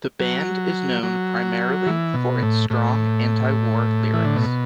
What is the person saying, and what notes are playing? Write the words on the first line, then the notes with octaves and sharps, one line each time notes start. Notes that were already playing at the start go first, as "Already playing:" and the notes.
The band is known primarily for its strong anti-war lyrics.
F#3
F#3
E3
B2
A2
A2
E3
D3
B2